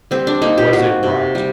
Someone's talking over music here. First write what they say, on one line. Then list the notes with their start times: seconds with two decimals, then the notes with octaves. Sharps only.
Was it right?
0.11 G3 C4
0.27 D4
0.42 A#3 D#4
0.58 G4
0.73 A#3 F#4
1.03 C3
1.35 G3